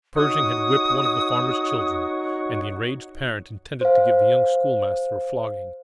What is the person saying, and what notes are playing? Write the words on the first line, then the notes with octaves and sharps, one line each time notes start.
Pershing had whipped one of the farmer's children, and the enraged parent intended to give the young schoolmaster a flogging.
D#4 F#4 C#5 D#6
C5 F5